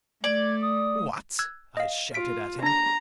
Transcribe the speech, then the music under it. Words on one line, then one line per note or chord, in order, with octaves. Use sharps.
"What!" I shouted at him.
A3 D5 G#6
D#6
E6 F#6 G#6
D#5 F5
F4 B6 D7
D4 A#5 A#6